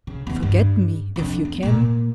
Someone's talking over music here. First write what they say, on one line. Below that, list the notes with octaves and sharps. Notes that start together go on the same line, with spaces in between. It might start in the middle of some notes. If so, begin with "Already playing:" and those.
Forget me if you can!
C#3
D#2 B3
G2
F2 D4
B3
A#2 A#3